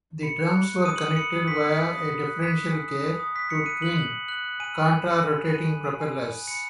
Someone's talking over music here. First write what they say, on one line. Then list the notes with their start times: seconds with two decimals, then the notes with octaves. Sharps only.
The drums were connected via a differential gear to twin contra-rotating propellers.
0.23 B5 C#7
0.39 F#6
0.55 B5
0.70 F#6
0.85 D#6 D#7
0.96 F#7
1.01 D#6
1.06 D#7
1.16 B5 C#7
1.32 D#6
1.48 B5 B6
1.64 D#6
1.80 B5
1.95 D#6
2.11 B5
2.26 F#6
2.41 F#6 B6
2.57 D#6
2.73 G#5
2.88 D#6
3.03 B5
3.19 D#6
3.35 F#6 B6
3.50 B5 C#7
3.66 F#6 D#7
3.82 F#6 F#7
3.97 F#6 F#7
4.13 F#6
4.28 F#6 F#7
4.44 F#6
4.60 G#5 D#7
4.76 B5
4.90 G#5
5.06 B5
5.22 G#5
5.38 B5
5.53 G#5 D#7
5.69 G#5
5.85 G#5
6.00 G#5
6.16 G#5
6.31 G#5
6.47 B5 C#7